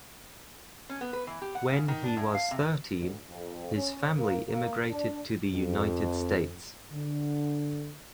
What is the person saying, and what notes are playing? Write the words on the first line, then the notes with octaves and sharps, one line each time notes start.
When he was thirteen, his family immigrated to the United States.
C#4
B3
B4
E3
G4
F#5
C#3
D#3
D4
A2
F5
C3
D2
F2
C#4
A#3
A#3
D4
F2
D3